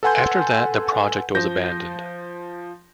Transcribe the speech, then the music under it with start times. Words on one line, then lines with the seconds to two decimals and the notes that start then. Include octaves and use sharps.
After that the project was abandoned.
0.03 A4 B4 F#5 G#5 C6 G6
1.35 F3 G6 A#6